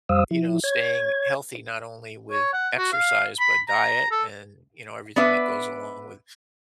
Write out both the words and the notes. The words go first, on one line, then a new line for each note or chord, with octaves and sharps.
you know, staying healthy not only with exercise, but diet and, you know, everything that goes along with
F2 G3 C5 F5 D#6 E6
F3 E4
C#5 G#6
C#5
F#5
F#4
F5
B5
A#5
A4
B3 D4 B4 E5